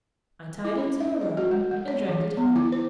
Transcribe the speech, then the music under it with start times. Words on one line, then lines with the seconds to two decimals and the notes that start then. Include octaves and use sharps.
'I tied it to a rope, and dragged it home.
0.65 E4
0.78 C#4
1.00 E5
1.21 D#5
1.37 F#4
1.51 G#3
1.71 G#3
1.88 C#5
2.09 E3
2.37 B3
2.56 E4
2.72 C5